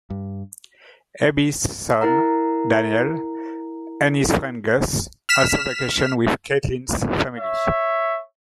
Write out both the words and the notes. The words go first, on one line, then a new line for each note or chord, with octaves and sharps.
Abby's son, Daniel, and his friend, Gus, also vacation with Caitlin's family.
G2
E4 A#4 F#5 A#5
F6 B6 E7
C#5 E5